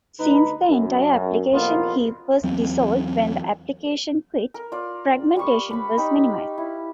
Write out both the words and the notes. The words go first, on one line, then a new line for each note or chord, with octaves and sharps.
Since the entire application heap was dissolved when the application quit, fragmentation was minimized.
D2 D#4 B4
F#2
C2 F2 A#2 A#3 B3 F4
E2 F#3 C4
A#4
F4 D5
G3 C#6
B4 B5
D#4 G4
E4